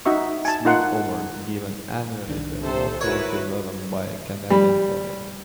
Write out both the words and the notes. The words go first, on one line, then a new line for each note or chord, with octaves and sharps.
Smith Award, given annually to a noteworthy volume by a Canadian poet.
D#4 F#4 E5 C#6
G#5 A5
D#4 F4 A#4 F#5 C6
C2 D#3 D4
C3 A4 C5
E4 F#4 A#4 B4 C#5
G3